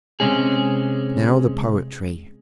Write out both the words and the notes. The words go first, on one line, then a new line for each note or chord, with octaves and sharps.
"Now the poetry."
C3 G#3 C#4 G#4